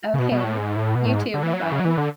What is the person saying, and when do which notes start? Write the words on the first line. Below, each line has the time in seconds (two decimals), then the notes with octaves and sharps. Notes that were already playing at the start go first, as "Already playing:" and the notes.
Okay. You too, bye-bye.
0.14 C#3
0.19 B2
0.32 B2
0.44 A2
0.58 G#2
0.76 A2
0.95 B2
1.06 A2
1.14 G#2
1.34 D3
1.43 E3
1.53 F#3
1.62 E3
1.72 C#3
1.80 F#3
1.85 E3
1.97 D3